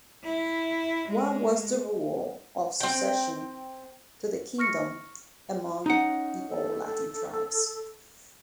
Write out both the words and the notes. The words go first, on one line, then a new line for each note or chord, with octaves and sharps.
What was the rule of succession to the kingdom among the old Latin tribes.
E4
G#3
C4 G5
C#6 F6 A#6 C#7
C#4 D#4 F#5
A4